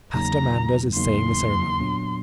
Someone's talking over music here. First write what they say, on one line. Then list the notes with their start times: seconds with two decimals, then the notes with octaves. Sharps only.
Pastor Manders is saying the ceremony.
0.14 E2 C#3 F#3 A#3 D#4 A#5
0.96 E2 C#3 F#3 A#3 D#4 C6
1.80 A#2 F#3 B3 D4